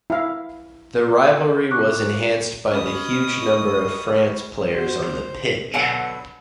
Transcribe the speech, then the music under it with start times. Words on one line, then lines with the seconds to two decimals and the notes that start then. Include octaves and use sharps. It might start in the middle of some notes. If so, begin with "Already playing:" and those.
The rivalry was enhanced by the huge number of France players on the pitch.
0.10 E4 F5
1.71 C#6 D6 F#6
2.71 C#4 D#5 B5 D#6
4.74 F#4 C5
5.74 B2 D3 F#3 F#5